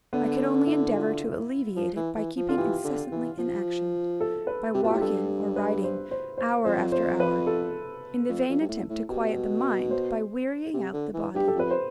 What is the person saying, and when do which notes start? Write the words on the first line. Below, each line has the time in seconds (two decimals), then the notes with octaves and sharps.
I could only endeavour to alleviate it by keeping incessantly in action; by walking or riding, hour after hour, in the vain attempt to quiet the mind by wearying out the body.
0.13 D3 B3
0.66 E4
0.94 F4
1.76 F3
1.96 E3
2.16 E3
2.37 F3
2.49 D3 F4
2.57 E3 G4
2.84 D3
3.11 E3
3.38 F3
4.21 A4
4.47 B4
4.74 C3 G4
4.83 B2 F4
4.90 A2 G4
5.01 G2 A4
5.29 A4
5.56 B4
5.84 C5
6.11 C5
6.38 C5
6.65 F2 C5
6.92 C5
7.20 B4
7.47 A4
8.29 F2
8.49 F2
8.60 G2
8.68 A2
8.89 A2
9.09 B2 G4
9.91 C5
10.73 C3
10.93 D3
11.13 E3
11.34 G2 G4
11.48 A4
11.55 F2 B4
11.71 C5